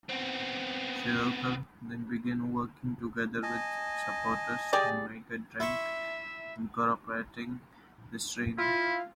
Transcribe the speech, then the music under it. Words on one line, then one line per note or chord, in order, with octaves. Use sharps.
Shirota then began working together with supporters to make a drink incorporating the strain.
B3 C4
D#5 G#5 A5
G4 G#4 D5
E4 E5 C6 C#6
E4 F4